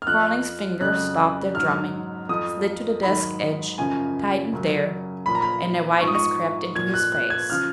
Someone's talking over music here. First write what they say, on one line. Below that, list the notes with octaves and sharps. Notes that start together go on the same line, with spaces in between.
Carling's fingers stopped their drumming, slid to the desk edge, tightened there, and a whiteness crept into his face.
F6
F2 F3 F#6
F2 C#3 F#3 F#6
G#2 F#3 F6
F2 F3 D#6
G#2 D#3 F#3 B5
F#2 C#3 F3 G#5
F#2 C#3 F#3
A#2 F3 B5
A#5
B5
G#2 F3 C#6
D#6
C#6
A#2 F3 G#6
F#6
F#6
G#6
C#3 F3 F6